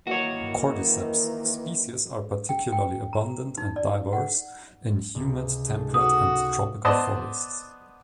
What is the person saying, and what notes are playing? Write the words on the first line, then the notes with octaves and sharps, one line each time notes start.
"Cordyceps" species are particularly abundant and diverse in humid temperate and tropical forests.
D#3 E3 A#3 F#4 C#5
G5
G5
A#5
D#4
D5
F#5
C#2 C3
G#3 D#4 A4
F#4 D#6
B3 C5 D5 D#5 A5